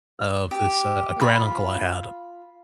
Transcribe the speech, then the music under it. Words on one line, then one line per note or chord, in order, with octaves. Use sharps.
of this, uh a granduncle I had,
G4
F4 B5